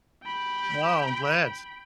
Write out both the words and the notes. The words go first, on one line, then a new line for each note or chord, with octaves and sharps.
Wow, I'm glad.
G5 B5